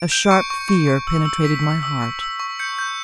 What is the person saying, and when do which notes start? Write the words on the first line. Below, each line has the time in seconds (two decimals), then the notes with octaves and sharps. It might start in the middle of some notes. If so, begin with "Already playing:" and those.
A sharp fear penetrated my heart.
Already playing: D7
0.12 G6
0.31 C#6 C#7
0.50 C#6
0.69 C#6
0.87 C#6
1.07 E6
1.25 E6
1.44 C#6 B6
1.63 E6
1.83 E6
2.02 C#6
2.21 E6
2.40 C#6
2.59 G6 C#7
2.79 G6